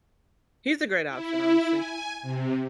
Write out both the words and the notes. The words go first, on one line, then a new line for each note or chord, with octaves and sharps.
He's a great option, honestly.
E4
G#5
C3